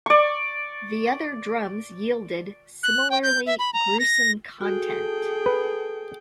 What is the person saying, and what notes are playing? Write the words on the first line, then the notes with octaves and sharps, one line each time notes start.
The other drums yielded similarly gruesome content.
D5 C#6
F#6
G5
G6
E5
B5
A#5
A#6
F#4 G#4 A4 G5
B4